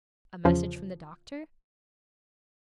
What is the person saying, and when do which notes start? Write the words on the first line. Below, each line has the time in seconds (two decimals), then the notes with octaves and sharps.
'A message from the doctor?'
0.45 E2 C#3 F3